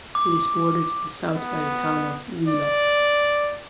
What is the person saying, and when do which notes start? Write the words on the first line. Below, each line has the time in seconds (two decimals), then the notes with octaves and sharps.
It is bordered to the south by the town of Wheelock.
0.15 D6
1.34 B3
2.48 D5